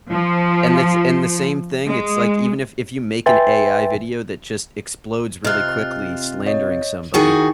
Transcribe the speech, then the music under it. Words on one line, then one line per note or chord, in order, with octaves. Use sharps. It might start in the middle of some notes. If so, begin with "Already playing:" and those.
and the and the same thing, it's like, even if if you make an AI video that just explodes really quickly, slandering somebody,
F3
G#3
B4 E5 G5 G#5 C6 A6
C3 F4 D#5 F6 F#6
C#5 D#5
D#3 E4 F#4 G#4 G5 C#6